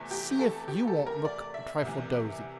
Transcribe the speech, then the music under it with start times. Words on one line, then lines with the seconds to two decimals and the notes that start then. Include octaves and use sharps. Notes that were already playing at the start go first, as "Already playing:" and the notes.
See if you won't look a trifle dozy.
Already playing: E2 C3 E3 A3
0.11 G4
0.39 A4
0.68 G4
0.88 A4
1.06 A#4
1.25 D5
1.54 E5
1.83 C2 C3 E3